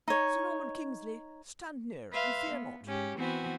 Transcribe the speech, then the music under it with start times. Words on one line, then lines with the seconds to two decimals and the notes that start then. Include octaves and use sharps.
Sir Norman Kingsley, stand near, and fear not.
0.08 D#4 C#5
2.12 B4 E5 F5 C6
2.50 B3
2.85 G#2 C#4 G4
3.17 E3 B3 C4 F#4 G#5